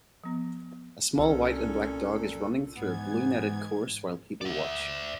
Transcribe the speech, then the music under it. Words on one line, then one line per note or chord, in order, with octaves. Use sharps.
A small white and black dog is running through a blue netted course while people watch.
F3 B3
C2 A#2 C#4 A4
G#2 E3 B3 G#6
D5 E5